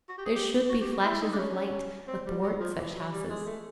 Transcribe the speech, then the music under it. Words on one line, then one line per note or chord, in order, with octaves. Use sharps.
There should be flashes of light athwart such houses.
F#4
G4
G#4
G4
F#4
G4
F#4
E4
D#4
D4
C#4
C4
G3
F#3
F3
E3
F#3
G3
G#3
A3